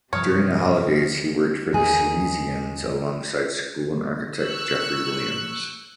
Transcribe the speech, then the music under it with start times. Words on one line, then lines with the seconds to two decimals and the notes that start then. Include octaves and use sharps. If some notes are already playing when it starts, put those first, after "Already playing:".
During the holidays he worked for the Salesians alongside school architect Jeffrey Williams.
0.13 G2 C3 F3 C#5 D#6 F6
1.73 D#2 G#4
4.42 C#6 E6 F#6